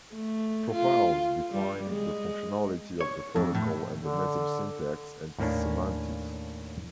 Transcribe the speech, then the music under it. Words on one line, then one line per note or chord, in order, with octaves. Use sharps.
Profiles define the functionality of the protocol and the message syntax and semantics.
A3
F4
G3
G#3
C#5
F2
A2
D3
D#2 A2 A#3 C#4 D4